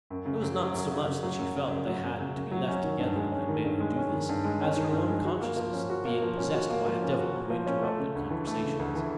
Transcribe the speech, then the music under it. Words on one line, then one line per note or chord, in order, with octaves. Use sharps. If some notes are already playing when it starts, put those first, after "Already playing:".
It was not so much that she felt they had to be left together that made her do this as her own consciousness of being possessed by a devil who interrupted conversations.
F#2
C#3
F#2
F#3
F#2
C#3
F#2
F#3
F#2
C#3
F#2
F#3
F#2
C#3
F#2
F#3
C#4
D#3
G2
G#3
C#4
D#3
G2
G#3
C#4
D#3
G2
G#3
C#4
D#3
G2
G#3
F#4
A#3
F3
C#4
F#4
A#3
F3
C#4
F#4
A#3
F3
C#4
F#4
A#3
F3
C#4
A3
C#3
D2
E3
A3
C#3
D2
E3